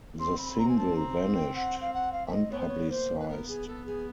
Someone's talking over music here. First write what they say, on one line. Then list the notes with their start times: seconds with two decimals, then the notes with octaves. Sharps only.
The single vanished, unpublicised.
0.19 C4 C6
0.38 B5
0.50 B5
0.58 A#5
0.68 G#5
0.77 A5
0.96 A#5
1.34 G5
1.55 F#5
1.80 F5
1.93 F#5
2.12 F5
2.26 E5
2.32 D#5
2.50 B3 C#5
2.59 C5
2.67 C#5
2.90 A#3 C5
3.18 B4
3.28 B3 A#4
3.48 G#4
3.66 A4
3.85 G#4